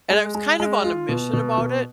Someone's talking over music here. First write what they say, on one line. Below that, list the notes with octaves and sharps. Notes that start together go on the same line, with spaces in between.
And I was kind of on a mission about it,
G#3
G#3
G#3
F4
B2
B2
B2